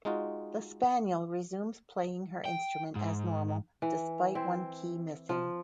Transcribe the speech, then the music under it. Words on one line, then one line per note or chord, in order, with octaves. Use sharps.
The spaniel resumes playing her instrument as normal despite one key missing.
G#3 D#4 F4 F#4
G5
G#2
E3
C4 E4
F3